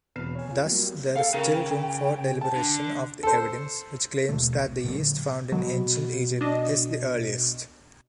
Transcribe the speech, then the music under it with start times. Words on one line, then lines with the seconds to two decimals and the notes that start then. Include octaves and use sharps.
Thus, there is still room for deliberation of the evidence which claims that the yeast found in Ancient Egypt is the earliest.
0.16 E1 B2 B4 F6 C7 E7
0.35 C#5 G#5
0.51 F4
0.65 F#3 G3 A#3 B3
1.15 A4 F5 G5
1.34 C#3 A#4
2.41 A5
2.55 D3
3.23 A4 C5
4.29 D#1 B2 A3
4.54 A#1
4.85 A#2 D3 F#3
5.52 B2 F#3
6.41 D4 D#5